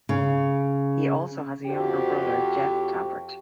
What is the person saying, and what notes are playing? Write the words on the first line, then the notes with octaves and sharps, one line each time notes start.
He also has a younger brother, Jeff Tapert.
C#3
F2 F#4 G4